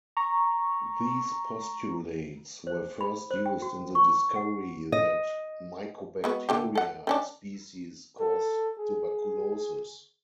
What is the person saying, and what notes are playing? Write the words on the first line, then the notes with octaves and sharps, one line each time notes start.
These postulates were first used in the discovery that Mycobacteria species cause tuberculosis.
A#5 C#6
C5
B5
C5
G5
F#4
C#6
F#5
D#5
G#3 B3 F#4
D3 A3 G4
A4 F#5
D#3 C#4 D4
A4
G#4